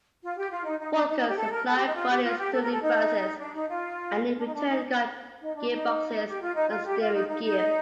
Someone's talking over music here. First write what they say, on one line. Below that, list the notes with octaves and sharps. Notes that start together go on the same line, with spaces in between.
Vulcan supplied bodies to Lea-Francis and in return got gearboxes and steering gear.
F4
G4
F4
D#4
D#4
D4
D#4
D#4
G4
A4
A#4
A4
G4
D#4
F4
G4
F4
G4
A4
A#4
A4
D#4
D4
D#4
F4
D4
D#4
D4
D#4
D#4
D4
D#4
G4
F4
D#4
F4
G4
F4
D#4
D#4
D#4